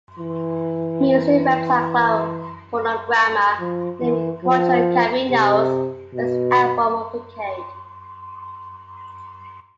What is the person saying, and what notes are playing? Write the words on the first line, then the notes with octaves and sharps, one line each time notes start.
Music website Club Fonograma named Cuatro Caminos best album of the decade.
E3
F3
E3
F3
C3
B2